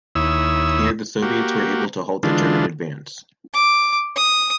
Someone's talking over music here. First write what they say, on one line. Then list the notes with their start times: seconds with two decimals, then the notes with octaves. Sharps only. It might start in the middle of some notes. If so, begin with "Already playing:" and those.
Here the Soviets were able to halt the German advance.
0.15 D#2 E4 C#5 D#6 E6
1.22 A#3 F#4 G4
2.23 D3 E3 G#3 D4 F4
3.54 D6
4.16 D#6